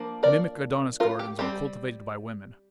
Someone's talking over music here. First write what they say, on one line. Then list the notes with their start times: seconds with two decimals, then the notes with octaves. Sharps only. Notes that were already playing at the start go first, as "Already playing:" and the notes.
Mimic Adonis gardens were cultivated by women.
Already playing: F3 A#3 D4
0.23 A#4 D5
1.00 F4 A#4
1.19 G4
1.39 G3 C4 G4